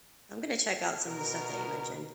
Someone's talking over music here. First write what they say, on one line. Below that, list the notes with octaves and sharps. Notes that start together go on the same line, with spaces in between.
I'm gonna check out some of the stuff that you mentioned,
B2 A#4